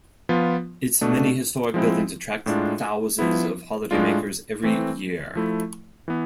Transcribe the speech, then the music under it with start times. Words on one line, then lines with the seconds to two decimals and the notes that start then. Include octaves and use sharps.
Its many historic buildings attract thousands of holidaymakers every year.
0.29 F3 B3 F4
1.01 B2 A3 D4
1.74 F3 G#3 C4 E4
2.46 A2 G#3 D4 F4
3.19 F3 B3 E4
3.91 A2 G#3 D4 F4
4.63 E3 A3 C4
5.35 F3 A3 E4
6.08 E3 B3